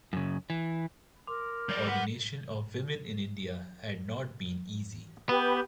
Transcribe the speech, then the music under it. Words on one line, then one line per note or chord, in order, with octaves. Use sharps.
Ordination of women in India had not been easy.
F#2 C#3
E3
A#4 C6 D6 F7
F#3 D5 G6 A#6 F7
B4 F#5
B3 G4 B4